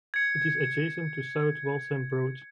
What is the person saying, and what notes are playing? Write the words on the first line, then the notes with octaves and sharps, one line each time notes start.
It is adjacent to South Walsham Broad.
G#6 C#7